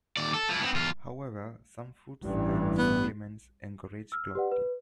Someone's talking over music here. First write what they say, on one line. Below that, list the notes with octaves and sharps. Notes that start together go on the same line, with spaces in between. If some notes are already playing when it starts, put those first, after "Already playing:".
However, some foods and supplements encourage clotting.
D#2 D5
A4
F3 E4
B3 C4
E2 F4
A1 G2 E3
B3
E6 F6
G4 B4 D5 F#5
B4